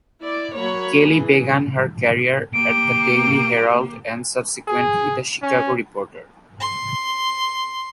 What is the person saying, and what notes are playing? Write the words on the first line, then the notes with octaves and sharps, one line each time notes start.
Kelly began her career at the Daily Herald and subsequently the Chicago Reporter.
E4 D5
F#3 A#3 C#5 B5
E3 G#4
A#3 G4 D7
G#4
C#4
C6